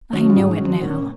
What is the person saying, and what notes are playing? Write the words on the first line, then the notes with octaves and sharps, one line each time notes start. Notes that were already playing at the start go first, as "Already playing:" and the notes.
I know it now.
D#3 F#3 C#4
F4
G#2 D#4
C#4
D#3 F#3
C4
A#2 C#4